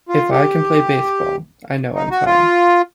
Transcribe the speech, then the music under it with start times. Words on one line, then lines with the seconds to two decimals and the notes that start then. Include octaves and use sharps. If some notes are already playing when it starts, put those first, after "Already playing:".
If I can play baseball, I know I'm fine.
0.09 F4
0.31 G4
1.95 D#4
2.11 F#4
2.26 F4